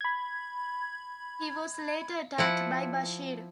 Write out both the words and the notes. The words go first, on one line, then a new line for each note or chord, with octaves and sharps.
He was later attacked by Bashir.
B5 G#6
F3 E4 F#5